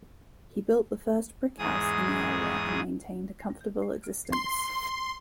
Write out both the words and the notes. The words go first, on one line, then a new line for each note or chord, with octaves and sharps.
He built the first brick house in the area and maintained a comfortable existence.
E2 G#2 G#4 D#6
C6